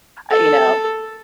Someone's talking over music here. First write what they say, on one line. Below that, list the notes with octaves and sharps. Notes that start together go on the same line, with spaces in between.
uh, you know.
A4